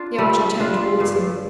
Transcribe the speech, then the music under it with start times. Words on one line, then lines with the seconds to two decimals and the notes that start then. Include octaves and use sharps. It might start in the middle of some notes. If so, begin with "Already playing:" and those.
The archer turned towards him.
Already playing: D4 F4
0.18 G3
0.60 D4 F4
1.00 G2